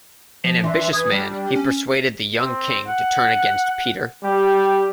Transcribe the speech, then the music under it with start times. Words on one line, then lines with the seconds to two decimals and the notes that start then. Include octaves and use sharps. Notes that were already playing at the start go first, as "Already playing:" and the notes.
An ambitious man, he persuaded the young king to turn against Peter.
0.44 F3
0.64 E3 D4 E5 C6
0.92 B4 D#6 G#6
1.11 G3 D4 G4 G5
1.56 C#4
2.39 C4
2.88 F#5
4.24 G3 G4